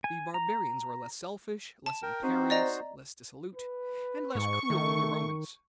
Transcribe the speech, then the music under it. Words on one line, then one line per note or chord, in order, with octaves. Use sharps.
The Barbarians were less selfish, less imperious, less dissolute, and less cruel than the Romans.
G#5
A#5
A5
A#4 G5
C4 D#4 F#4 C5
D5 D#5 A#5
B4
G#2 C#6
D#3 A3